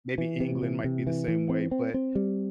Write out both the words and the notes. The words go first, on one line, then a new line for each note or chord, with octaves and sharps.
maybe England might be the same way. But,
E3
C3
E3
C3
E3
E3
C4
C4
C4
G3